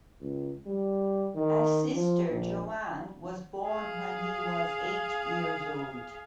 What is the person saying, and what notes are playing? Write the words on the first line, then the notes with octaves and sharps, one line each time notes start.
A sister, Joanne, was born when he was eight years old.
C#2
G3
D#3
F3
A#1
G#4 F5